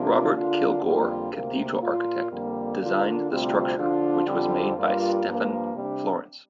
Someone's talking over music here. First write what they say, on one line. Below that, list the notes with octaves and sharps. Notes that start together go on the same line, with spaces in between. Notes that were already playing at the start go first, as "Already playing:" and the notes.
Robert Kilgour, cathedral architect, designed the structure, which was made by Stephen Florence.
Already playing: C3 F3 A#3 D4 F4
D3 A#3 D4 F4
F2 D3 G3 A#3 F4
D2 C3 A#3
A#2 A#3 F4
F2 D3 G3 A#3
D3 A#3 D4 F4
D2 C3 G3 C4 F4
D3 F3 D4 F4
F2 D3 G3 C4 F4
G2 G3 A#3 F4
G2 F3 A#3
C3 G3 D4